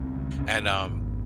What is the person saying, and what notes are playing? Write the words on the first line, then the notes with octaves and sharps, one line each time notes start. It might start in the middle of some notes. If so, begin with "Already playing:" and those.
and, um,
Already playing: C#2 C4
C#3
F1 C#4
F2
G#1